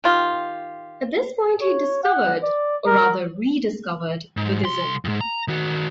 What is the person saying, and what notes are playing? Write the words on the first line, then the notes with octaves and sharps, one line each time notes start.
At this point he discovered - or rather rediscovered - Buddhism.
D#3 F4 G4
C#5
F#5
D5
A#4
G#2
C2 C6
F2 G#2
A#5
D#3 F#4